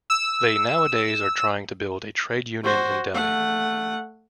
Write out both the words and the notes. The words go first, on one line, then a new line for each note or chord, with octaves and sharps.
They nowadays are trying to build a trade union in Delhi.
E6
F#4 C5
A3 F#5